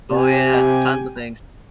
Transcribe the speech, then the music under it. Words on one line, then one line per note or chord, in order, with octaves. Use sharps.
Oh, yeah. Tons of things.
C3 G4 G5 G#5